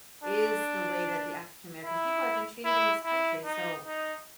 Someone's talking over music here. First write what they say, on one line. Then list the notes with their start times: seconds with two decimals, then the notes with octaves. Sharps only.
is the way that the African American people have been treated in this country. So,
0.24 D4
1.84 E4
2.65 E4
3.04 E4
3.45 D#4
3.85 D#4